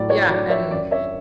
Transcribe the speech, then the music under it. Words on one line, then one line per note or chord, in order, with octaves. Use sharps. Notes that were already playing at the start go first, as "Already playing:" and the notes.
Yeah, and
Already playing: A2 F#3 D5
C#5
F#3 D5
C#5 E5
F#2 D5
C#5 E5